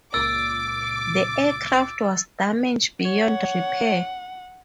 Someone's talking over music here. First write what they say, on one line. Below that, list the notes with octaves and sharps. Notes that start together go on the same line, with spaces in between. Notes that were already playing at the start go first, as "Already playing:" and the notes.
The aircraft was damaged beyond repair.
C#2 A#2 D6 E6 A6
C#5 F#5